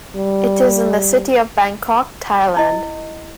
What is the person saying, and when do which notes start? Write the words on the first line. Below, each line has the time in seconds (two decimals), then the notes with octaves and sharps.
It is in the city of Bangkok, Thailand.
0.16 G3
2.57 E4 D#5